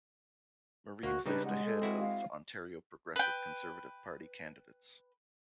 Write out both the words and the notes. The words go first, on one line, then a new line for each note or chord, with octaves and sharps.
Marie placed ahead of Ontario Progressive Conservative Party candidates.
D2 A#3 F#4
C#3 G3 D4 D#4 B4
G#3 F#5
A4
C4 E4 F#4
F5
B4 G5